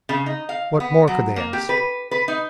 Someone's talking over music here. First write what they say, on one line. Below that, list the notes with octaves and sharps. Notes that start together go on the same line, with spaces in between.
What more could they ask?
C#3
D#4
F5
B3
F#3
A#3
G4
B4
B4
D#4